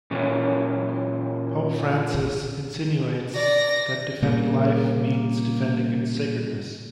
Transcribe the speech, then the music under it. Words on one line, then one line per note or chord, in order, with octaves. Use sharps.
Pope Francis insinuates that defending life means defending its sacredness.
A#2 E3 C#4
D5 A#6
A#2 C#3 G3 A#3